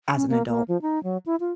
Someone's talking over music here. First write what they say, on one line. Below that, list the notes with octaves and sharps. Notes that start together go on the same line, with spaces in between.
as an adult."
C#4
A#3
A#3
F3
D#4
F#3
E4
F4